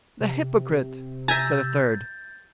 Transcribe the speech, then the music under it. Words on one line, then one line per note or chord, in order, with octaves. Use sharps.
"The hypocrite!" said a third.
C3
E5 G#5 A#5 G6 A6